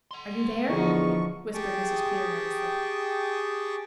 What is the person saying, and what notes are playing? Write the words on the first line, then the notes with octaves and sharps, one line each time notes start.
"Are you there?" whispered Mrs. Clear nervously.
F#5 C6
E2 D3 F3 D#4 C#6
G4 G#4 G5 A5 C#6 D#6